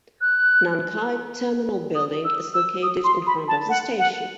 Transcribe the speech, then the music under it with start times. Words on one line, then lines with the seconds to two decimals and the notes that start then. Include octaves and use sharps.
Nankai Terminal Building is located in front of the station.
0.21 F#6
1.95 D#6
2.25 E6
2.54 E6
2.83 D#6
3.04 C6
3.27 B5
3.48 A5
3.69 F#5
3.99 F#5